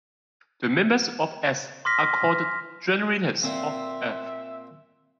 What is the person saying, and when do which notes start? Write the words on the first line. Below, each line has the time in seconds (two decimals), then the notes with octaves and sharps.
The members of "S" are called generators of "F".
1.85 C6 D6 F6 A#6 B6
3.43 A#2 C4 E5